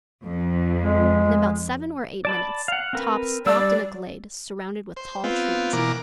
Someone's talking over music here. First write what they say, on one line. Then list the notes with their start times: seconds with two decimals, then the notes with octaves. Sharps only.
In about seven or eight minutes Top stopped in a glade surrounded with tall trees.
0.25 F2
0.82 G#3
2.25 D5 A5 B5
2.68 F5 F#5
2.93 C4 A#4 B4
3.46 G3 D5 E6
4.97 C5
5.24 B3 C4 F4
5.73 B2 E3 A#3 A#4 D6